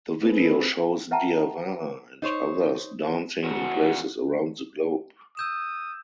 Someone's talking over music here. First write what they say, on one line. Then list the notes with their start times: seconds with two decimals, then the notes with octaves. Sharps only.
The video shows Diawara and others dancing in places around the globe.
0.23 A3 C4 F4 G#4 A4 B4
1.11 B4 E5 F#5 G5 A5 A#5
2.22 D#4 C5 C#5
3.44 E2 F#4
5.37 D#6 E6 G6 E7